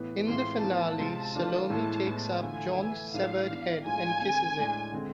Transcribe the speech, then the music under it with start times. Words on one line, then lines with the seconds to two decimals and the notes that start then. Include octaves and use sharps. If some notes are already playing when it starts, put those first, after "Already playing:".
In the finale, Salome takes up John's severed head and kisses it.
Already playing: A2 E3 B3
0.28 A2 E3 G#3 C4 F4 C6
0.63 A2 F3 B3 A5
0.98 C3 G#3 C4 F4
1.35 E3 A3 D4 F4
1.70 A2 E3 G#3 B3 E4 A5
2.06 A2 G#3 B3
2.42 D3 F3 A3 E4 G#5
2.78 E3 A3 E4
3.13 A2 G#3 D4 F5
3.49 E3 B3 D4
3.85 A2 F3 G#3 D4 F4 G#5
4.20 D3 G#3 C4
4.57 A2 G#3 D4
4.92 D3 G#3 C4